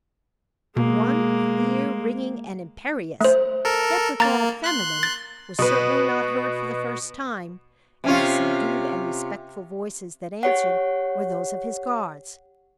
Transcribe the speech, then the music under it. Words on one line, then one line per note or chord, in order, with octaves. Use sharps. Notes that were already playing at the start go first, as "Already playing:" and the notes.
One, clear, ringing, and imperious, yet withal feminine, was certainly not heard for the first time; and the subdued and respectful voices that answered, were those of his guards.
B2 G#3 A#3
A3 C5
A4 A#4
A#3 A#5 A6
C6 F#6
A6
B2 B4
C3 C#4 F4
G4 C#5 F#5